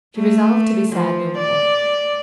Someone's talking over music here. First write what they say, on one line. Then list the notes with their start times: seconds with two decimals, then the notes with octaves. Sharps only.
She resolved to be sad no more.
0.16 A3
0.92 F3
1.38 D5